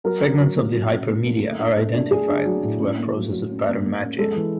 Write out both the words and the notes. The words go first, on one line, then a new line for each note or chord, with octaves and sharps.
Segments of the hypermedia are identified through a process of pattern matching.
F#3 A#4
C#4
F#3
A#3
F#3
C#4
A#3
A#3
A3
D4
A3
D4
D4 G#4
D4
F#3
A2
C#4
A#3
F#3
F#3
C#4
A#3
A#3
C#4
G#3 A4
E3